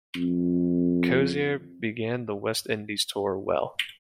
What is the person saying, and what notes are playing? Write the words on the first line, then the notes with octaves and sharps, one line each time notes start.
Cosier began the West Indies tour well.
F2